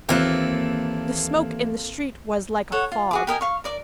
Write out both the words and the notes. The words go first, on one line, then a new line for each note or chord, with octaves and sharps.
The smoke in the street was like a fog.
D#2 E3 A#3 C4 F4 A4 F#6
A4 C#5 F#5
F4
F#4 G#4 D6
G4 A#4 D#5 G#5
F5 C#6
A#4 D5 D6